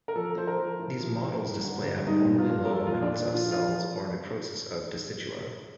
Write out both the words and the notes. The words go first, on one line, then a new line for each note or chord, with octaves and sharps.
These models display abnormally low amounts of cells or necrosis of decidua.
A#4
F3 A4
F3 C5
A#4
F3
A2
F3
A2
G2
D3
G2
G2 D#4
G2
F4
G2
A#4
F3 A4
F4
A#2
D4
A#2
F3 F4
F3 F4